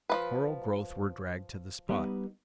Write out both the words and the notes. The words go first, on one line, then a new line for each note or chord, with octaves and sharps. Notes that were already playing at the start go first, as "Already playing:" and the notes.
Coral growth were dragged to the spot.
F3 A#3 B4
G3 B3 D#4